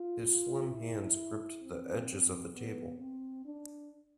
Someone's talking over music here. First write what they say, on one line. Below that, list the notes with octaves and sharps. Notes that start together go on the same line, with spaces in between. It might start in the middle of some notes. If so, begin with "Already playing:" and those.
His slim hands gripped the edges of the table.
Already playing: F4
E4
C4
B3
C4
D4